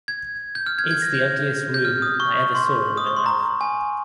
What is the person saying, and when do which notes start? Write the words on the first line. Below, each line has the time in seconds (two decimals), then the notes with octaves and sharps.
It's the ugliest room I ever saw in my life.
0.08 G#6
0.55 G6
0.66 F6
0.79 G#6
0.91 G#6
1.02 A#6
1.14 G6
1.74 G6
1.85 F6
2.02 D#6
2.20 C#6
2.55 C6
2.97 D#6
3.07 C#6
3.16 C6
3.26 A#5
3.61 G#5